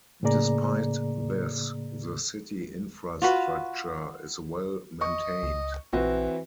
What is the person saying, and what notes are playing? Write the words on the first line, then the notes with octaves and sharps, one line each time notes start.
Despite this, the city infrastructure is well-maintained.
A2 C#3 A#3 G#4 D5 A#5
F4 F#4 B4
D#5 C#6
C#2
A#1 E3 C4 F#4 B4